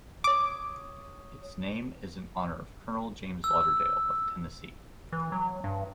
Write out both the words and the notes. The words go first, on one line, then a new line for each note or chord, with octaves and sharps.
Its name is in honor of Colonel James Lauderdale, of Tennessee.
C#5 D6 D#6
E6
E3
F#3
G2